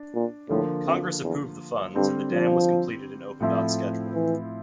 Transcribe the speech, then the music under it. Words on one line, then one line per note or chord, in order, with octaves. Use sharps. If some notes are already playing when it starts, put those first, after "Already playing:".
Congress approved the funds, and the dam was completed and opened on schedule.
Already playing: D4
A#2
A2 D3 F3 A#3
F2
E2
G2 D3 G3 C4
F3
A2 F3 C4 E4
E3